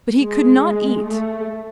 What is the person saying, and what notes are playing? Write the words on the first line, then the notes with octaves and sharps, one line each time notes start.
But he could not eat.
G#3
A3